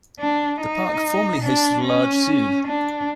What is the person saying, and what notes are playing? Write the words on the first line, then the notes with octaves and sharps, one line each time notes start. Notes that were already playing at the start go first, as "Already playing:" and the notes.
The park formerly hosted a large zoo.
D4
D#4
D4
C#4
D4